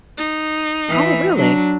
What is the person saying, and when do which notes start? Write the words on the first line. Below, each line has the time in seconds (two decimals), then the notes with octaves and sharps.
Oh, really?
0.17 D#4
0.89 E3
1.35 F#3 D4